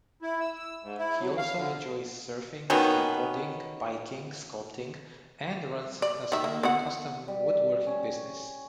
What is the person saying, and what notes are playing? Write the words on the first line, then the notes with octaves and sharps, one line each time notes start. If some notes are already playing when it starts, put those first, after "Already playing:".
He also enjoys surfing, skateboarding, biking, sculpting, and runs a small custom woodworking business.
E4
E6
E6
G#2
E4
F#3
F5
D3
B2 D#3 B3 C#4
D5
D#3 E5
A#3
B3 E4 F#5
G3
C#4